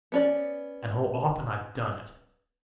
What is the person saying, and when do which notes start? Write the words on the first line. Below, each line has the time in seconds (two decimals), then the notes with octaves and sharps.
And how often I've done it!
0.12 B3 C#4 D5